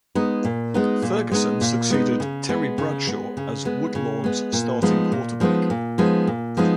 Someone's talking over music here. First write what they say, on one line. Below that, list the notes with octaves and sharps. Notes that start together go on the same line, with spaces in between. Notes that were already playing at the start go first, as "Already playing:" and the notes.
Ferguson succeeded Terry Bradshaw as Woodlawn's starting quarterback.
G#3 B3 D#4
A#2
G#3 B3 D#4
A#2
G#3 B3 D#4
A#2
G#3 B3 D#4
C#3
G#3 B3
C#3
G#3 B3
C#3
G#3 B3
C#3
G#3 B3
A#2
F3 G#3 B3 D#4
A#2
F3 G#3 B3 D#4
A#2
F3 G#3 B3 D#4
A#2
F3 G#3 B3 D#4